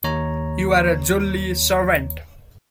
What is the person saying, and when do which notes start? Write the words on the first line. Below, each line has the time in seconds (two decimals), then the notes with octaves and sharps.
You are a jolly servant!
0.04 D#2 C#5 A#5